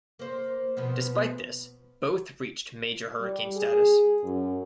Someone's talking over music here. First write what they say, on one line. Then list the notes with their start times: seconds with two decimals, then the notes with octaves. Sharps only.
Despite this, both reached major hurricane status.
0.19 A#3 C5
0.77 B2 F3 B3
3.20 G3
3.56 G#4
4.23 F#2